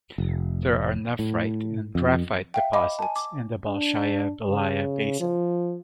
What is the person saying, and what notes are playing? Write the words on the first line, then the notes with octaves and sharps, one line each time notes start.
There are nephrite and graphite deposits in the Bolshaya Belaya basin.
F1
A2
F2
E5 F5 G5
D#5 F5 B5 D6
G#5 A5
D6
D4
C#3
F3